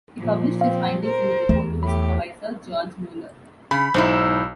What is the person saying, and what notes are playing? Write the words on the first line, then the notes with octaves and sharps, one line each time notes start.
He published his findings in a report to his supervisor, George Mueller.
A#2 F3
C4 F5
A#4 C5
E2 A3 E7
A2 A3 G4 B5
C#3 B5
B1 G#2 D#4 E4 C5